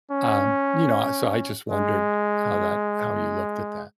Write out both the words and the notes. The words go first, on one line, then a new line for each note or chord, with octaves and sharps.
um, you know, I so, I just wondered how that how you looked at that.
C#4
G#3